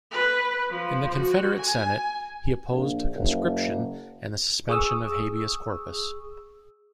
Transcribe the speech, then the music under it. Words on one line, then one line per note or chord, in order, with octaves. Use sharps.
In the Confederate Senate, he opposed conscription and the suspension of habeas corpus.
B4
F3
F#4
G#5
A#1
F#1
G#4 C#6 D#6 E6